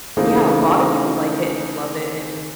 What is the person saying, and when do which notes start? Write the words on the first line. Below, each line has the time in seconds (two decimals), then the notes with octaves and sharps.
Yeah, a lotta people like it and love it, and
0.17 C#3 E3 A3 A#3 C4 D#4